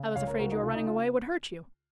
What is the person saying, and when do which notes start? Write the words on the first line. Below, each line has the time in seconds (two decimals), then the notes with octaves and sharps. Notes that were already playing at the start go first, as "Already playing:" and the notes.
"I was afraid your running away would hurt you."
Already playing: C#3
0.16 C#2 C#5 F5
0.28 A#4 C#5
0.34 C5
0.39 C#3 F#4 A#4
0.51 D#4 F#4
0.63 C#3 F4
0.75 D#4
0.86 F4